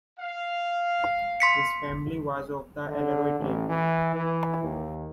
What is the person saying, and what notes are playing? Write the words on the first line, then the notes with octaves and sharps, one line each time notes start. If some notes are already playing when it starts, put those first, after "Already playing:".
His family was of the Alaroy teip.
F5
C6 B6 C#7
D3
A1
E3
E3
D#2